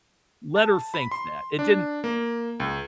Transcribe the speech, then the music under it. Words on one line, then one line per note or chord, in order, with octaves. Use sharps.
let her think that, it didn't
A5
B5
C6
D4
A#3
C#2